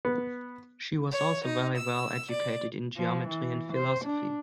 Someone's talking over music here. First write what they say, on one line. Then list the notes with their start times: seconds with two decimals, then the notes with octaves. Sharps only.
She was also very well educated in geometry and philosophy.
0.05 B3
1.10 C#5
1.43 D#4
1.77 E6
2.31 D5
2.97 F3
3.29 E3
3.73 C5
4.05 D4